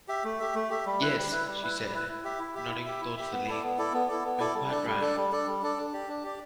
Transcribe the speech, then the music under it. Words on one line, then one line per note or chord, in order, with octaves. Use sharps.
"Yes," she said, nodding thoughtfully, "you're quite right."
G4 E5
A3
G4 E5
A3
G4 E5
G3
E4 B4
G3
E4 B4
G3
E4 B4
G3
E4 B4
E4
G4 E5
E4
G4 E5
E4
G4 E5
E4
G4 E5
B3
E4 A4 D5
B3
E4 A4 D5
B3
E4 A4 D5
B3
E4 A4 D5
G3
D4 A4 D5
G3
D4 A4 D5
G3
D4 A4 D5
G3
D4 A4 D5
D4
G4 D5
D4
G4 D5